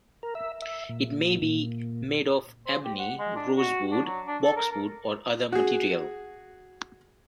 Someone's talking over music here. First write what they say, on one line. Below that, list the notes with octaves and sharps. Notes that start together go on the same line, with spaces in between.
It may be made of ebony, rosewood, boxwood or other material.
A#4
E5
E5
A#2
A#2
C5
G4
F#5
G#3
D4
F#4
D4
F#3
D4
A4
A#4
A#4
F#4 G#4